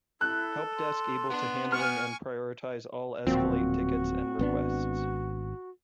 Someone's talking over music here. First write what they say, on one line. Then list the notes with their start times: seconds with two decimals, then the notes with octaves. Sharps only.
Help Desk able to handling and prioritize all escalate tickets and requests.
0.21 E4 A4 F#6
0.77 C6
1.30 B3 D4
1.72 G#5 C#6 F6
3.27 D1 A#2 F3 C4 F#4
4.39 G#1 B3 D4